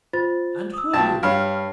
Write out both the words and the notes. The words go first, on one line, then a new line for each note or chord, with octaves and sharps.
"And who are you?"
F4 C5 A6
D#6 E6
B1 F4 G5 A5
G2 C#5 F5 B5 F6